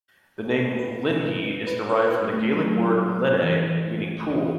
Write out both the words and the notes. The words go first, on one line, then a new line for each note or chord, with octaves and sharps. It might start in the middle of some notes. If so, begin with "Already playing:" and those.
The name "Linnhe" is derived from the Gaelic word "linne", meaning "pool".
A4
B4
B4
C#5
B4
A3
F#3
E3
E3